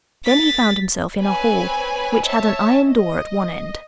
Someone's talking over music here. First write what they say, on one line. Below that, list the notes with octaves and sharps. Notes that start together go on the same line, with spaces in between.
Then he found himself in a hall, which had an iron door at one end.
A6 B6
C4 B4 C#5 G#5
C#5 E5 A5
D#5